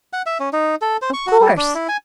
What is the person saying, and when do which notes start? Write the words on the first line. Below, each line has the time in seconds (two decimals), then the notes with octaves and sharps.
'Of course.
0.13 F#5
0.26 E5
0.40 C#4
0.53 D#4
0.81 A4
1.02 C5
1.13 C#6
1.27 F#4
1.41 G3
1.57 D4
1.75 E4
1.89 G#5